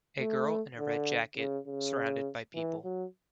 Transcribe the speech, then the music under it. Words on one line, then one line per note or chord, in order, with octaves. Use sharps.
A girl in a red jacket, surrounded by people.
A3
D3
C#3
C#3
E3
F#3